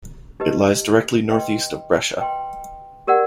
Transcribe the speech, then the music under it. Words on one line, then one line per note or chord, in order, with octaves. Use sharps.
It lies directly northeast of Brescia.
D#4 G4 B4 D#5
B4 D#5 G5 C6
B4 D#5 G5 C6
G4 A#4 D5 F#5